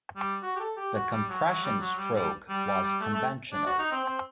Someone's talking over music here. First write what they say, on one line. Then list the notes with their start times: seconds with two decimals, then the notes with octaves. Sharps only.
The compression stroke was conventional.
0.16 G3
0.43 F#4
0.56 G4
0.60 A4
0.77 G4
0.94 F#4
1.11 G3
1.29 F#3
1.46 F#3
1.63 G3
1.80 F#3
1.98 G3
2.15 G3
2.49 G3
2.67 G3
2.84 G3
3.01 A3
3.14 A3
3.53 D4
3.66 F#4
3.79 D#4
3.92 C4
4.05 C4